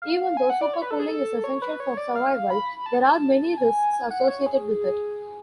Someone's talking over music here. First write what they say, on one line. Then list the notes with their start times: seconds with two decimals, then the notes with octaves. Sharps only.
Even though supercooling is essential for survival, there are many risks associated with it.
0.02 F5
0.37 G#5
0.50 F#5
0.61 D5
0.73 C#5
0.82 B4
0.91 A4
0.99 G#4
1.08 A4
1.44 C#5
1.62 B4
1.80 C#5
1.97 D5
2.15 F5
2.50 B5
2.86 A5
3.58 G#5
3.93 G#5
4.11 F#5
4.28 C#5
4.46 G#4